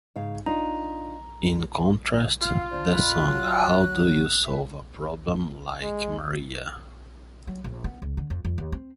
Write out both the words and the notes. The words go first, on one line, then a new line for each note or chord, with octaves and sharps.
In contrast, the song How Do You Solve A Problem Like Maria?
G#2 C#3 F5
D4 D#4 F4 A#5
F4 F5
D4 C5 D5
F2 A#2 B5 F#6
F#3 F#4
C4 B4 E5
G#3
F#3
A#1
B3
C#2
D3
F2
F2
D#2
C4